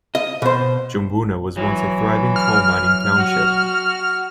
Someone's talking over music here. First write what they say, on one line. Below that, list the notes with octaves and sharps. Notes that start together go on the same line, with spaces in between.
Jumbunna was once a thriving coal mining township.
D#5
B2 C5
E3 F#3
F6
F#4